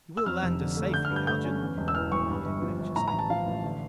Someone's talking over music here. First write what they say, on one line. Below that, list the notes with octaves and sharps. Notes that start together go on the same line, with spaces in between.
"You will land us safely, Haljan?" he demanded anxiously.
E6
F2 F6
F1
D3
A3
D3 G6
F6
G2
G6
A3 G6
C#4
E2
E1
E6
E3 F6
E1 C#6
G2
G1
F3
G1
A2 A#5
A#5
A1
A5
F3 F5
A1
D3